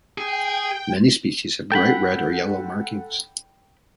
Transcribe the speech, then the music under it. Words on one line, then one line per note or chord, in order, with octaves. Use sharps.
Many species have bright red or yellow markings.
G#4 G5
A4 F#5 G5 A5 B5